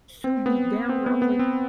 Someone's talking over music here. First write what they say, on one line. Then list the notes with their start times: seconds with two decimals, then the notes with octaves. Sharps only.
so beat down where I was like,
0.24 C4
0.46 B3
0.89 C4
1.06 B3
1.22 B3
1.39 C4